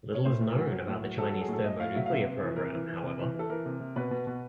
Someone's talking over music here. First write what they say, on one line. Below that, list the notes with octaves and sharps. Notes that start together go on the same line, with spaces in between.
Little is known about the Chinese thermonuclear program, however.
C#5
A2 C5
A2
A#4
F#3
F#3
A2
F#3
F#3 A4
F#3 A4
G#4
A2 A4
A2 D#5
A2 F5
F#3 E5
F5
C3 E5
C3
E3
C3 A#4
E3
E3
C3
E3
E3
A4
E3 A#4
C3
C3
B2 B4
B2
B2